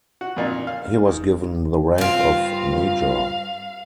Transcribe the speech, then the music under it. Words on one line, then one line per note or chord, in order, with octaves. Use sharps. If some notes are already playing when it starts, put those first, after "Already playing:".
He was given the rank of major.
F#4
F2 A#2 D4 D#4
F5
G#2
G2 C4 F4 F5